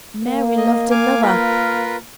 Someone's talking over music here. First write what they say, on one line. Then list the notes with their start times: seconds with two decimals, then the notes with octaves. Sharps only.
Mary loved another!
0.25 A#3
0.57 D#5
0.91 F5 G#5 D6
1.22 F4 A#4 B4